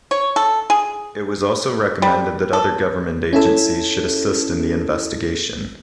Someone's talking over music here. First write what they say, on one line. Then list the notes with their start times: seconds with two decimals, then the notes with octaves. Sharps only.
It was also recommended that other government agencies should assist in the investigation.
0.11 C#5
0.36 A4
0.70 G#4
2.02 G3
2.53 A4
3.33 C#4 E4 A4